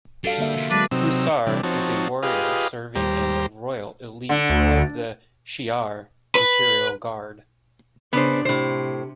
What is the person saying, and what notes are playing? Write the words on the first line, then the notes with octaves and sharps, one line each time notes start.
Hussar is a warrior serving in the Royal Elite of the Shi'ar Imperial Guard.
G3 D4 F#4 A4 F5
D3 A#3 E5
F2 C3
F#3 G#3 D4 B4
C3 F#3 C4 D#4 E6
C3 E3 G3 D4
F3 C4 D#4 F#4 C#5 A5
F4 G4 G#4 B4 D#5 F5
D#2 G3 G4 C5 A#5
D3
D2
B4
C#3 B3 D4 C5
A2 C3 C5